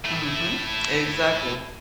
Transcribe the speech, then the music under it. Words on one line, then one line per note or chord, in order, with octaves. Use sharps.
Mhm. Exactly.
A3 E4